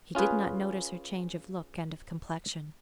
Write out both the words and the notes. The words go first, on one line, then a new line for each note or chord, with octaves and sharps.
He did not notice her change of look and of complexion.
C#4 F4 G#4 B4